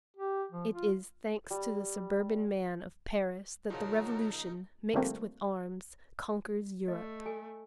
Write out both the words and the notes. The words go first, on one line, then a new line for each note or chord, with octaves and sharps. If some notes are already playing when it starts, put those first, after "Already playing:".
It is, thanks to the suburban man of Paris, that the Revolution, mixed with arms, conquers Europe.
G4
F3
F4
G3
A#2 C#3 F3 F#3 D#4 A#4
D3 F3 G3 A3 A#3 C4
A3 D#5
A4 G#5